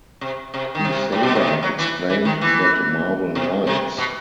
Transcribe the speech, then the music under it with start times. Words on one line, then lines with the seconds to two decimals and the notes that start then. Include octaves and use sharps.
Quesada explained that Marvel Knights...
0.21 C3
0.54 C3
0.75 D#3
0.85 C3
1.12 A2
1.23 B2
1.35 C3
1.47 D#3
1.63 F#3
1.79 E3
2.10 E3
2.25 D#3
2.41 E3
3.35 C3
3.67 C3
3.98 B2